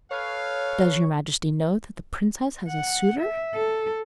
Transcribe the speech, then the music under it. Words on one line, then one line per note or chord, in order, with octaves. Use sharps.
'Does your majesty know that the princess has a suitor?'
A4 B4 C#5 F5
F#5
E5
A4